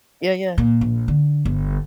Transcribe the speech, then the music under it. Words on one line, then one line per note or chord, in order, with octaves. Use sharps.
Yeah, yeah.
A#2
A#1
D3
G1